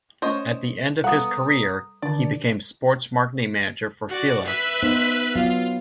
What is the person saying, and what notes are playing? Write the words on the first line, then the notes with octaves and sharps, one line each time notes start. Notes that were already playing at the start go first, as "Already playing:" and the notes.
At the end of his career, he became sports marketing manager for Fila.
A3 C#4 C5 C#5 D#5 C#6
G3 B3 A4 F5 F#5 A#5 D#6
D3 D#3 D4 D5
F#4 D5
B4 E5
B3 D#4 C5
F#3 B3 F4 F5